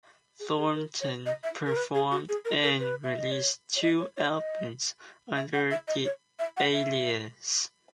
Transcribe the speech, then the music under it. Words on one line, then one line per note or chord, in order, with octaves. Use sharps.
Thornton performed and released two albums under the alias.
G#4
G#4
A#4
C#5
D#5
E5
A#4
B4
G#4
F#4
G#4
A#4
A#4
B4
E5
D#5
C#5
C#5
D#5
C#5
C#5
D#5
E5
F#5
E5
D#5
C#5
E5
F#5
E5